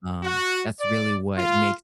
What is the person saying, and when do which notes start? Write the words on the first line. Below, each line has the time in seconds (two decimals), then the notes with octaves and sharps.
um, that's really what makes
0.24 F#4
0.80 D5
1.37 F4